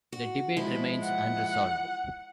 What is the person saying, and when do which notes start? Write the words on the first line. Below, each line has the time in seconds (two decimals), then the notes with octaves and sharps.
The debate remains unresolved.
0.12 F#4
0.57 F3 G#3 E4
1.03 F#5